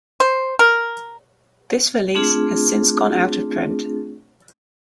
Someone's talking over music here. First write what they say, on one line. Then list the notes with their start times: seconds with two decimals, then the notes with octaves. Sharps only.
This release has since gone out of print.
0.20 C5
0.59 A#4
2.15 A3 C4 D4 F4 G#4